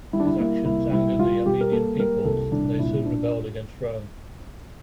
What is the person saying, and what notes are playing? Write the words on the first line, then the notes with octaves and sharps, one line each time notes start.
These actions angered the Armenian peoples and they soon rebelled against Rome.
G3 E4
D4
E4
A#3 E4
C2 E4
G3 E4
G3 F4
G3 G4
A#4
A#3 A4
G3 A#4
C2 A4
C2 D4
A#2 E4
D4